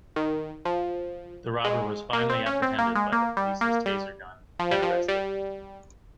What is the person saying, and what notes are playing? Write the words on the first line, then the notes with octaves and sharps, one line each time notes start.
The robber was finally apprehended by the police's taser gun and arrested.
D#3
F3
G#3
A#3
C4
C#4
C4
A#3
G#3
A#3
G3
A#3
G3
F3
G3
F3
G3